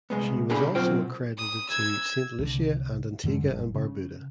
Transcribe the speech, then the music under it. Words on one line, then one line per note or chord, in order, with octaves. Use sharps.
She was also accredited to Saint Lucia and Antigua and Barbuda.
C2 G#3 B3
C2 B2 D3 G#4 B5
B2 F#3 C4 F4 C5 G5
D#6
E6 G#6
C2 D3
F#2 D3 D#3 G#3
F#1 G2
C#3